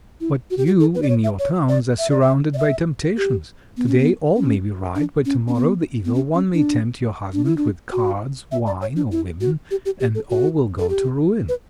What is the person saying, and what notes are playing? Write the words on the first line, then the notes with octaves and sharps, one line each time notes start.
But you, in your towns, are surrounded by temptations; today all may be right, but tomorrow the Evil One may tempt your husband with cards, wine, or women, and all will go to ruin.
E4
F#4
G4
F#4
A4
B4
D5
C#5
E5
C#5
D5
E5
D5
E5
D5
E5
G4
B3
C#4
B3
C#4
D4
C#4
C#4
B3
B3
C#4
C#4
D4
D4
E4
D4
F#4
E5
D5
C#5
D4
E4
F#4
G4
G4
G4
A4
F#4
A4
G4
B4